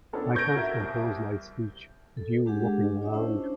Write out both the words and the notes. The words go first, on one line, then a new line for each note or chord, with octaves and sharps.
I can't compose my speech with you mucking around.
B3 C#4 D4 A4 A#4
C#6 G6 G#6 A#6 D7
F#4 A#4 E5
C2
A4
G#3 D4 G4 G#4 F#5
F4 C#5 D#5 E5
C#4 D4 E4 C5 A5